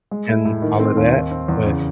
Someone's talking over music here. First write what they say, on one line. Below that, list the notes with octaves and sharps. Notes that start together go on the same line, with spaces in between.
and all of that, but
G#3
E4
A2
D#3
C4
D#2
D#3
C4
E2
C#3